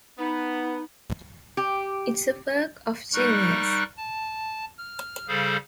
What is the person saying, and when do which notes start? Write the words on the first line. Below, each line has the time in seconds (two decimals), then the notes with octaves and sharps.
It's a work of genius.
0.18 B3 D#4
1.57 G4
3.13 G3 D#4 A#4 C#6 F#6
3.97 A5
4.78 F6
5.28 C#3 G3 G#4 A4 C5 F5